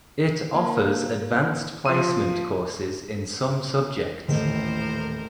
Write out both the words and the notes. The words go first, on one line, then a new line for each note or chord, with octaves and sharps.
It offers Advanced Placement courses in some subjects.
A#3
F3 C6 D#7
D#1 A1 A2 A#4 C5